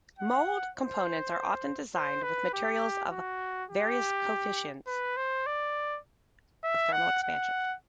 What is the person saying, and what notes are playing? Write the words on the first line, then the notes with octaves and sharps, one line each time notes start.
Mould components are often designed with materials of various coefficients of thermal expansion.
F#5
C5
C5
B4
G4
F#4
G4
B4
C5
D5
E5
F#5
F#5